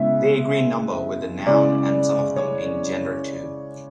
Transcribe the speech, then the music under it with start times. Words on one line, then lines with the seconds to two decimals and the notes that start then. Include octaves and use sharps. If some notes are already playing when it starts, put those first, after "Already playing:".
They agree in number with the noun, and some of them in gender, too.
Already playing: C#3 G#3 B3 E4 E5
1.47 C#3 G#3 C#4 E4 D5
2.36 C#5